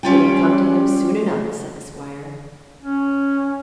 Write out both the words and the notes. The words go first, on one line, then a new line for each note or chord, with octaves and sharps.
"It'll come to him soon enough," said the squire.
G3 C#4 F4 G5
C#4